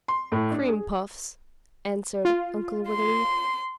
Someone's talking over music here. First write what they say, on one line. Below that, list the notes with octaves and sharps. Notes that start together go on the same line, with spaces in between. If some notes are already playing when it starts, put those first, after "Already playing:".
"Cream puffs," answered Uncle Wiggily.
C6
A2
D4
G#4
F4
C6